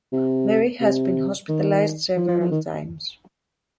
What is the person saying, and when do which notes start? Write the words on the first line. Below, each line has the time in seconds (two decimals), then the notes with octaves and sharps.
Mary has been hospitalized several times.
0.12 C3
0.81 C3
1.49 D#3
2.16 F3
2.28 F3
2.40 F3
2.51 D#3